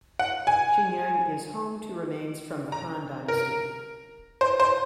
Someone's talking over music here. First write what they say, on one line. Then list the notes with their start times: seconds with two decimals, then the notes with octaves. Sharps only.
Xingyang is home to remains from the Han dynasty.
0.19 F#5
0.47 G#5
2.72 A#5
3.28 A#4
4.41 C5
4.60 C5